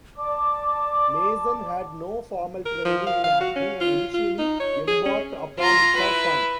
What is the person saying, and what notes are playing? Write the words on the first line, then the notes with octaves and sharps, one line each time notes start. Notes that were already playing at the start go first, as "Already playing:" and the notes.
Mason had no formal training in acting and initially embarked upon it for fun.
D5 A5 D6
A#4
F3
F5
F5
F#4
C#4
F4
F4
D#4
C#5
G#4
C#4
F4 A#5
E4 B4